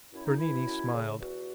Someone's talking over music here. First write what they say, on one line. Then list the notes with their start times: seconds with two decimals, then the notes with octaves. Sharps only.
Bernini smiled.
0.13 F#2 E4
0.25 D#4
0.37 E3 E4
0.66 F#2
0.93 C#3
1.19 E2 F#4